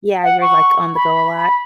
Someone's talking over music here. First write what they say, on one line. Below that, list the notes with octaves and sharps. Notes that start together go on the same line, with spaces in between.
Yeah, you're, like, on-the-go a lot?
F#5
C#6
B5
B5